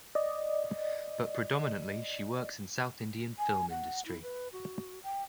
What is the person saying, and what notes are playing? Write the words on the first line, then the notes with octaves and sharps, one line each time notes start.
But predominantly she works in South Indian film industry.
D5 D#5
G#5
F#5
E4
B4
F#4
G5